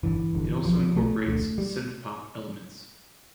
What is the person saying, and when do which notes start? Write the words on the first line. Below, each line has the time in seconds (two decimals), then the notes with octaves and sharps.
It also incorporates synthpop elements.
0.03 G1 G2 D3 E3
0.33 G1 G2 D3
0.64 B1 B2 F3
0.95 B1 B2 A3
1.26 E1 D2 D3
1.58 G3